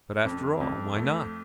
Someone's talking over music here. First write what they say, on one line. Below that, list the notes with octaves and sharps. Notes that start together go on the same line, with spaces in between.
But, after all, why not?
F2
F2
A3